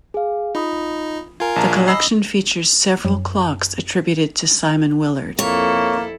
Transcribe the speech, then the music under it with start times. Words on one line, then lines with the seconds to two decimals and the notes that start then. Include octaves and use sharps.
The collection features several clocks attributed to Simon Willard.
0.14 G#4 F5
0.55 D#4 F4 B5 D#6
1.40 F4 A#4 G#5 G#6
1.56 A#1 A5 A#5
1.88 D#5 B5 E6 C7
3.05 F#2
5.39 F2 A#3 E4 A4 C#5